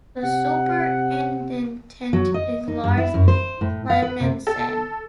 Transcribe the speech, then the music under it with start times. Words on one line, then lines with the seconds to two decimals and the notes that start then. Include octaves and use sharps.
The superintendent is Lars Clemensen.
0.23 C3 F#5
2.13 F#3
2.34 D#5
2.68 D#4
2.84 G2
2.97 E4
3.14 F#2
3.28 C5
3.61 A2
3.90 F5
4.02 B4
4.20 C3
4.47 A4